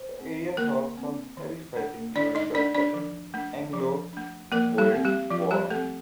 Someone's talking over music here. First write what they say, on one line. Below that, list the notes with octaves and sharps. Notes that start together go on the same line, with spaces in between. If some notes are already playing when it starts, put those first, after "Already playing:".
The area saw some heavy fighting during the Second Anglo-Boer War.
Already playing: C5
A3 C4
D3 A#3 A#4
A3 C4
D#3
A3 D4
D#3 D4 D5
D#4 D#5
A3 D4 D5
D4 D5
F3
A3 D4
F3
A3 D4
F3 A#3 A#4
G3 G4
A3 C4
G3 G4
F3 F4
G3 G4
A3 C4 A4